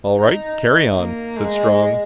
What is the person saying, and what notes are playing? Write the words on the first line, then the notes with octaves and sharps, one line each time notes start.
"All right, carry on," said Strong.
D#4
A#3
G#3